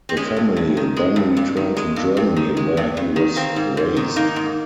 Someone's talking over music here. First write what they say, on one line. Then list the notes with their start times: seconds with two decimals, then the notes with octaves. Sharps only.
The family then returned to Germany where he was raised.
0.09 C4
0.17 G#3 C#4
0.36 G2
0.56 G2
0.77 D#3
0.96 G#3
1.16 G2
1.37 G2
1.57 D#3
1.77 G#3
1.96 G2
2.17 G2
2.36 D#3
2.57 G#3
2.77 G2
2.97 G2
3.16 D#3
3.36 A#3 C4
3.56 G#2
3.77 G#2
3.97 D#3
4.16 A#3 D#4
4.36 G#2